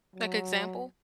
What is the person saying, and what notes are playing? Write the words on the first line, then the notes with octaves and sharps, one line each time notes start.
Like, example?
F#3